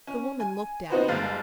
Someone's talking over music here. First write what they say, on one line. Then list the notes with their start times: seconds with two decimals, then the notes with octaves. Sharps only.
The woman looked at me.
0.07 C#4
0.40 G#5
0.90 B3 C4 D#4 F#4 B4 C5
1.08 G1 G#2 G3 F5 A6